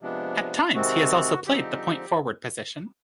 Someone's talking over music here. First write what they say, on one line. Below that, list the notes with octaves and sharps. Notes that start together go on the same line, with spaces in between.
At times he has also played the point forward position.
C3 F3 G#3 B3 D4
C3 D#3 G#3 C4 F#4
D3 F3 G#3 C4 D#4 G4